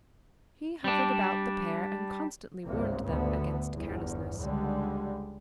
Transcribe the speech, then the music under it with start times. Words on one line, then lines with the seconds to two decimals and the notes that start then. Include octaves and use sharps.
He hovered about the pair, and constantly warned them against carelessness.
0.84 G3 D4
2.65 G#1 C#2 G2 C3 A#3
3.06 D2 D3 B3
3.72 G1 E2
4.40 C#2 D3 G3 G#3